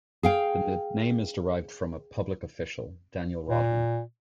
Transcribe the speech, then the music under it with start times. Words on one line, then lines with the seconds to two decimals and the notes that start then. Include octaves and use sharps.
The name is derived from a public official, Daniel Rodman.
0.23 G#4 F5 G5
3.49 A#2